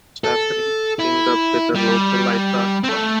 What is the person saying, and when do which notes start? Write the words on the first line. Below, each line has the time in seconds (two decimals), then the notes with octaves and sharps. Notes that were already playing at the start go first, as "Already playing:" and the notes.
Stephanie teamed up with a local lifeguard.
0.24 A4
1.00 E4
1.75 G3
2.84 C4
2.89 A3